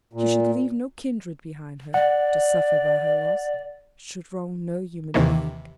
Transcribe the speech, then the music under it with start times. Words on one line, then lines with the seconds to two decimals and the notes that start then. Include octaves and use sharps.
She should leave no kindred behind her, to suffer by her loss--should wrong no human being.
0.13 A#2
1.94 D5 F#5
5.14 D#2 C3 D#3 E3 A#3